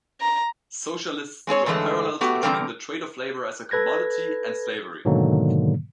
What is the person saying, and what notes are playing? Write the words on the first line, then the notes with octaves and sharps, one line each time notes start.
Socialists draw parallels between the trade of labor as a commodity and slavery.
A#5
G#3 C4 G#4 C#5
G2 D3 E3 G#3 A3
A3 B3 F#4 G4
E2 G2 D3 G3 C4 A#4
A4 B4 G#6 A#6
G#2 B2 D3 D#3 F#3 A#3